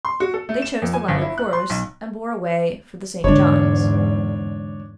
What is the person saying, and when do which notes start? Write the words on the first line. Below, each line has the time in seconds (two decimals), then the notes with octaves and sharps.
They chose the latter course, and bore away for the St. John's.
0.05 C6
0.20 F#4
0.34 A4
0.49 A3
0.62 E7
0.82 F2
0.94 G#5
1.08 G1
1.21 E4
1.38 F#6
1.53 C6
1.70 B1
3.24 E2 G#2 D3 G#3 D4 C#5